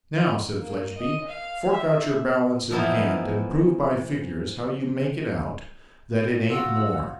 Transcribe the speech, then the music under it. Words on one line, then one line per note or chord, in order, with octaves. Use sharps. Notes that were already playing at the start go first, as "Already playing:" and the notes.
'Now!' said Fledgeby. 'Fork out your balance in hand, and prove by figures how you make it out that it ain't more.
A#3
D#5
F5
E5
E3 F3 A3 B3 D#4 E4
F4 F#4 E6